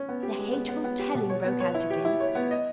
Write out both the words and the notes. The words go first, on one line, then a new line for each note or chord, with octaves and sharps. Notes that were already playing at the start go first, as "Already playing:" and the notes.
The hateful telling broke out again.
Already playing: C#4
B3
G4
G#3
B3
B3
B3
G4
B2
C#5
B3
C#5
E4
G4
E4
C#5
B3
D#5